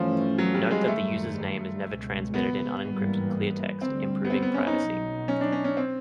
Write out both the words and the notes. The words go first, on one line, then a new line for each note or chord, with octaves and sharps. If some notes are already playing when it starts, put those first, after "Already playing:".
Note that the user's name is never transmitted in unencrypted clear text, improving privacy.
Already playing: G2 E3 F3 A3 C#4
F#3
G3
G#3
F#2 D#3 G3 A3
C#2 B2 G#3
B3
G#1 G2 E3 G3 A#3
D2 D3 G3 C4
B3
C4
B3
C#4
D#4
B1 B2 F#3
C#4
D4
C#4
C#4
C4